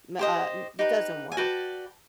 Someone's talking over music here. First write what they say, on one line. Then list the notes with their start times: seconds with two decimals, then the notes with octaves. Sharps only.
ma uh, m it doesn't work.
0.19 G4 C5 D#5
0.79 D#4 G4 B4
1.32 G#5
1.37 F#4 B4 D5 G5 A5